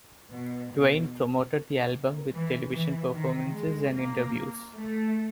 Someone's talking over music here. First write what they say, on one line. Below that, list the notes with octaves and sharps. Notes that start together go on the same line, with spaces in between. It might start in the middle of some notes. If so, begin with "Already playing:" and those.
Twain promoted the album with television performances and interviews.
B2
B2
E3
E3
D#3
G#3
A#3
A3